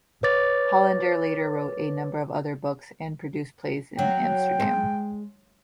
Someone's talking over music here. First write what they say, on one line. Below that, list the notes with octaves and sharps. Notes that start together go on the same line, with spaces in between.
Hollander later wrote a number of other books and produced plays in Amsterdam.
B4 C#5 D6 A6
F#3 G5
G#3